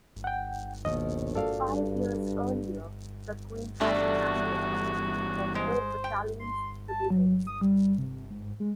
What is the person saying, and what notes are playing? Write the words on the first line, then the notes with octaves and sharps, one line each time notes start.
Five years earlier the Queen had granted permission for four battalions to be raised.
F#5 G5
A#1 D#2 B2 D#5
F#4 A4 D5 F5
G2
E2 G3 A3 D4 F#4 A4
G#3 C5
G5
C6
A5
F#3
D#6
G3
C3
G#2
G#3